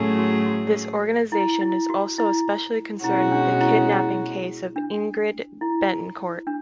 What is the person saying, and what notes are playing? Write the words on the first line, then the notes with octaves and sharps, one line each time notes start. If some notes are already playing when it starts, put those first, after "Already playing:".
This organization is also especially concerned with the kidnapping case of Ingrid Betancourt.
Already playing: A2 F#3 A3 C#4 G#4
F#4
F#4
E4
E4
F#4
E4
B2 G#3 C#4 E4 F#4
D4
E4
E4
D4
E4
D4